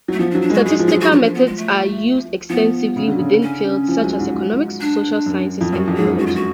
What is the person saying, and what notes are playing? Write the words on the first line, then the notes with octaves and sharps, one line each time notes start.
Statistical methods are used extensively within fields such as economics, social sciences and biology.
F#3 A3
F3 B3
D4
F#3
D4
G#3 F#4
G#3 G#4
F3
F#3 G#4
F#4
F3 F4
D4
B3
G#3
A3
F3 B3
C#3
D3
C#3
C#4
F3
G#3
F#3
G#2
D4
F#2
F2
F#2 F#4
F2
G#2 G#4
F#2
G#2 F#4
F4
F#4